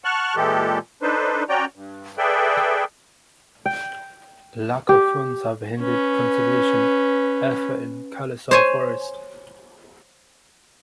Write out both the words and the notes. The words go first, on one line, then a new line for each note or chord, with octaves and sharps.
Lack of funds have hindered conservation effort in Kalesar forest.
F#5 A5 C#6 F6 F#6
A#2 E3 G#3 G4 A4
D4 D#4 A4 B4 C5
C#4 F#4 D5 G5 A#5
G2
G#4 A4 B4 D5 E5 G5
G5
G4
C#4 B4
C5 C#5 G#5